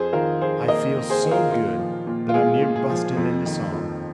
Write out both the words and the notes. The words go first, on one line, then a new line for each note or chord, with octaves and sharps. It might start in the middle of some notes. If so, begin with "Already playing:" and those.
"I feel so good that I'm near bustin' into song."
Already playing: F2 G#4 C5
D#3 F4 A#4
F2 G#4 C5
A#3 A#4 D#5
F2
G#4 C5
D#3
F4 A#4
A#2 F4
F3
A#2
F4
G#3 G#4
A#2
G#4
F3
F2
D#3
F2